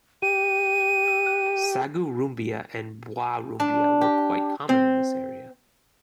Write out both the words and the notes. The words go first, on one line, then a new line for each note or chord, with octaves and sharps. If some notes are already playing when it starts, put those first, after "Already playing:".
"Sagu Rumbia" and "Buah Rumbia" were quite common in this area.
G4 D#7
D4
G4
C4